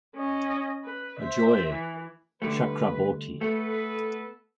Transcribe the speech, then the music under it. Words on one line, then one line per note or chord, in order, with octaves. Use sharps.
Ajoy Chakraborty.
C#4 D#5
B4
C5 E5
E3
D3 G3 A3 B4
A3 B3 A4 B4